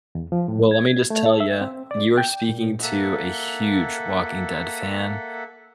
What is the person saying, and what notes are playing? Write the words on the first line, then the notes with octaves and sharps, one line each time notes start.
Well, let me just tell you, you are speaking to a huge Walking Dead fan.
E2
F3
A2
G#6
A3
A4
E5
C4
D5
G5
A#2
A#3 A4 E5 F#5